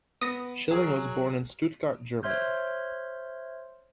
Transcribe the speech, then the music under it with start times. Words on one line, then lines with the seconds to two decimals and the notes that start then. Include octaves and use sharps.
Schilling was born in Stuttgart, Germany.
0.21 B3 D#6 A#6
0.71 F#3 G#4 A#4
2.23 C5 C#5 E5 C6 F6 G6